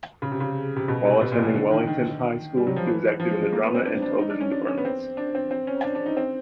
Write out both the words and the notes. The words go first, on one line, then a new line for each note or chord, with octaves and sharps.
While attending Wellington High School he was active in the drama and television departments.
C#3
C3
C#3
C3
B2
C3
B2
A#2
B2
A#2
D3
D#3
D#3
G3
F#3
F3
E3
F3
G#3
G#3
A#3
B3
C4
D4
D4
D#4
D4
C#4
D4
C#4
B3
C4
D4
C4
C4
C#4
D4
D4
D#4
C4